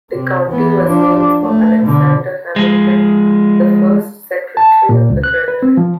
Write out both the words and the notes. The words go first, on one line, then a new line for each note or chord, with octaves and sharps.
The county was named for Alexander Hamilton, the first Secretary of the Treasury.
C3
E3 B3
F3 D4
A3
B2 D3
F3 G#3
A5
A#2
C#2
F#6
B4
C4
F3